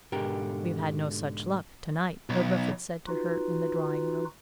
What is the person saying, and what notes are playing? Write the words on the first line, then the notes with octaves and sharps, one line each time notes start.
"We've had no such luck to-night," Lord Rufford said to her in the drawing-room.
G#2 B2 D3 G4 A#4
B1
D#4 F4 F#4 B4